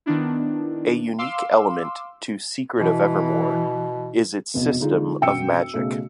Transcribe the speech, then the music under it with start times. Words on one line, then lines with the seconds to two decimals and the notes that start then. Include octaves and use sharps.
A unique element to "Secret of Evermore" is its system of magic.
0.06 D#3 B3 D4 E4
1.18 F5 C6 D6 E6
2.77 B2 E3
4.54 F1 B1 E2
4.81 D3 G#3 D#4 F4
5.21 E1 F#2 F#4 G5 E6 C#7
5.74 B1 C#3 A3